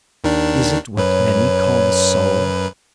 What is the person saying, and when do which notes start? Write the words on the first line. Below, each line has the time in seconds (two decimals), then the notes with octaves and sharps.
Is it what many call the soul?
0.24 D#2 D#3 D4
0.97 F#2 B4 C#5